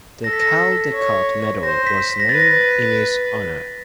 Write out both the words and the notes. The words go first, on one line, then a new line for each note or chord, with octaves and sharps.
The Caldecott Medal was named in his honour.
A4 A#6
B6
A#6
C#5
C5 A#6
B6
B6
A#6
B4 A6
A#6